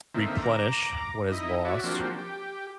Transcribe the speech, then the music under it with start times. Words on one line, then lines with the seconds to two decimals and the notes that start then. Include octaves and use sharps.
replenish what is lost,
0.14 D3 A#3 C4 D#4 E5
0.42 A#5 D6
1.32 D#4 E4 D#5
1.65 F#4 C#5 D5 E5
1.84 F3 A#3 C4 D4 F#4 G4
2.18 G4